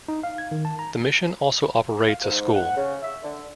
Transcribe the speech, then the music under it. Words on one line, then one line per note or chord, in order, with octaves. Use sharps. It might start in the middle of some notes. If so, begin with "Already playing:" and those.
The mission also operates a school.
D#4
F5
G#6
D#3
A5
A#5
F5
G#2
F#5
C#3
E5
D3